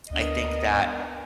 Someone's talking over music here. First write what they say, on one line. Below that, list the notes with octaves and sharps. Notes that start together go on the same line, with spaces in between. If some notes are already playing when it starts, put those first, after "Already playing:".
I think that,
D2 B3 D4 A#4 D#5